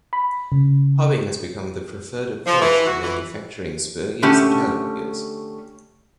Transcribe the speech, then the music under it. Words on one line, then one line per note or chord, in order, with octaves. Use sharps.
Hobbing has become the preferred approach to manufacturing spur gears and helical gears.
B5
C#3
F3
E3
F#4
E3
D3 A3 C#4 G4